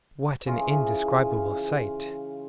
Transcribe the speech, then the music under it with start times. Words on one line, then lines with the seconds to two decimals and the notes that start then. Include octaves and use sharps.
What an indescribable sight!
0.47 C#3 E3 F4